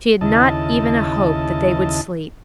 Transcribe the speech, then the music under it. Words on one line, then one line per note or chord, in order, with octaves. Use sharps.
She had not even a hope that they would sleep.
D#2 C#3 E4 D#5 A5